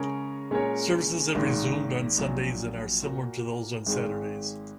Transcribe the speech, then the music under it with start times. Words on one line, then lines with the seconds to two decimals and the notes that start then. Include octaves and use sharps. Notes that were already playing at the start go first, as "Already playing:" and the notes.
Services have resumed on Sundays and are similar to those on Saturdays.
Already playing: C#3 G#3 C#4 A#4 C#5
0.51 A#2 G#3 C#4 A#4 C#5
1.34 G#1 G#2 D#3 A#3
2.18 A#1 A#2 F#3
3.02 A#2 A#3 F#4
3.86 G#1 G#2 G#3